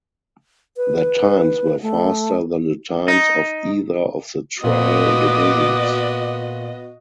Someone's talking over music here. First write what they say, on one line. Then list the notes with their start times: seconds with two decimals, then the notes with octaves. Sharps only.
Their times were faster than the times of either of the trial divisions.
0.77 B4
1.82 A3
3.08 D#4
4.64 A#2 B3 F#4 D#5 D6 D#6